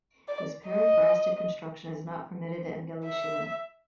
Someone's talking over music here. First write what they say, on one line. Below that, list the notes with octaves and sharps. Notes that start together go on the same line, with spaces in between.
This periphrastic construction is not permitted in Galician.
D5
D#5
E5